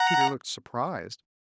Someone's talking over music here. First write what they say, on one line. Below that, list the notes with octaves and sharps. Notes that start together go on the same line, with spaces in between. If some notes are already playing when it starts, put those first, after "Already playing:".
Peter looked surprised.
Already playing: F#5 A#5